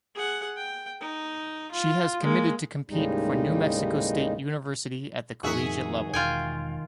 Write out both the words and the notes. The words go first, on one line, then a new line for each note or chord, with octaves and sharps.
She has committed to compete for New Mexico State University at the collegiate level.
G#4 F#5
G5
D#4
F4
G#3 A#3
D#2 A2 C#3 G3 G#3 D#4
F2 A2 D#3 F#4 G#4 E5
E1 F4 G5 G#5